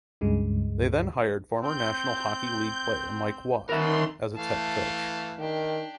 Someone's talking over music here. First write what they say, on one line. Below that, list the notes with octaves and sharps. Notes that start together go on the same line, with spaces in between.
They then hired former National Hockey League player Mike Watt as its head coach.
C#2 G2 C#3 G#3
C4 G6
D#3 B3 A#4 E5 C6
E3 A3 F5 A5
D#3 D4 G4